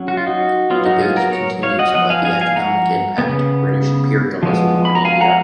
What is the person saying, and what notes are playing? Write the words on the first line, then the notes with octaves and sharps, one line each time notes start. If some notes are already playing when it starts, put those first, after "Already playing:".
Debate continues about the economic impact of British imperialism on India.
Already playing: F#3 C#4
F#4
F4
D#4 F#4
F#3 B3 F4
D#4 F#4
F4 G#4
F#4 A#4
A#4 C#5
C#5 F5
D#5 F#5
F3 B3 D#5 F#5
F5 G#5
F5 G#5
F5 G#5
F#5 A#5
C#3 F3 B3
F3 G#3 B3
B5
A#5
F5 G#5
F#5 A#5